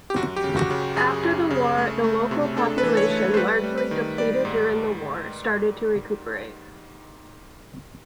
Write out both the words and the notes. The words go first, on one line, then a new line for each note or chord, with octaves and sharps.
After the war the local population, largely depleted during the war, started to recuperate.
G4
F#2 F#4
G4
C#3
F#4
C#3
F#2 G#4
F#2
C#3
A3
A3
C3
D4 A4
B4
E3
C#5
A3
C5
G3 B4
G3
B4
D#3
G3 D5
G#2